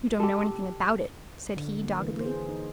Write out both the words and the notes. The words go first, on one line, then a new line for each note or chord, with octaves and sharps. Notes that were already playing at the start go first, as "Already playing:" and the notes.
"You don't know anything about it," said he doggedly.
G4 A4
D3
A#3
E3
G#4 C5
D#4